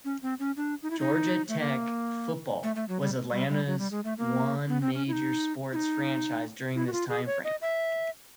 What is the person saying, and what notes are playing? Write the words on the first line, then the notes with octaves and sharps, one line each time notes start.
Georgia Tech football was Atlanta's one major sports franchise during this time frame.
C#4
C4
C#4
D4
D#4
E4
D#4
A3
A#3
A3
A3
F#3
G3
G3
G3
F#3
G3
G#3
A3
A#3
B3
C4
C#4
E4
D#4
E4
D#4
E4
F#4
F4
G#4
C#5
D#5
E5